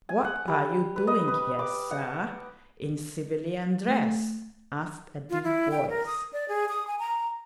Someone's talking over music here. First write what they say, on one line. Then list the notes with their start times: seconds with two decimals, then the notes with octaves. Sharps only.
"What are you doing here, sir, in civilian dress?" asked a deep voice.
0.09 G#5
0.24 F#5
0.48 G3
0.96 B4
1.07 D#5
1.28 B4
1.59 D6
1.91 F#5
3.88 A3
5.30 F4
5.44 E4
5.71 G5
5.89 A#4
6.06 D#6
6.33 D5
6.48 G#4
6.69 D#6
6.87 G#5
6.99 A#5